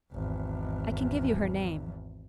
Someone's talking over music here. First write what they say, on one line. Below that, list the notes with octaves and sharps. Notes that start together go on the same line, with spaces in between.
I can give you her name.'
G#1 E2